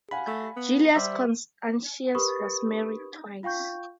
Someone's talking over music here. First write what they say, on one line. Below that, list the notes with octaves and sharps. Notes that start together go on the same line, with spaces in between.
Julius Constantius was married twice.
F5 F#5 G#5 B5
A3
B3
G3 G4 C5 E5
G4 A#4 B4 B5 C#6 D#6
F4 F5 G5 C#6 G6